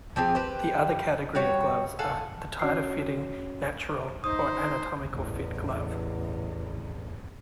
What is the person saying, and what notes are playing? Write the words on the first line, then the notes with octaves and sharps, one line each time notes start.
The other category of gloves are the tighter fitting, natural or anatomical fit glove.
F3 C4 G4 G#4
G4 B4 C5
G3 F#4 C#5
A4 F5 F#5 G#5
C#4 F#4 C#5 C7
D#4 C5 D#6
A1 E2